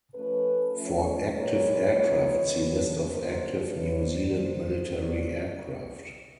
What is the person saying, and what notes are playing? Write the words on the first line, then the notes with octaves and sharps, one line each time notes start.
For active aircraft see List of active New Zealand military aircraft.
F3 A3 C#4 A4 B4
F3 A3 C#4
A#2 F#3 A#3 D#4 B4 C#5
C#3 F3 A#3 D#4
A#2 G3 B3 D4
D3 F3 A#3 D4 A#4 C5
E3 G3 B3 D4 B4 C#5
C5 D5
A#2 F#3 A#3 C5 D5
B2 F#3 A#3 C#4